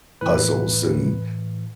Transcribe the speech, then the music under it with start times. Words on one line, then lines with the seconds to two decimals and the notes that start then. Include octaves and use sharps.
puzzles and
0.21 A2 E3 B4